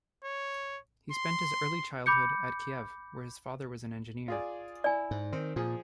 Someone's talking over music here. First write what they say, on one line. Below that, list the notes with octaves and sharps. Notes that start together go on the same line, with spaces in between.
He spent his early childhood at Kiev, where his father was an engineer.
C#5
C6
B5 D6 G6 C#7
F4 G#4 D5
E4 D5 G#5
G#2
D#3 C4
A#2 F3 G#4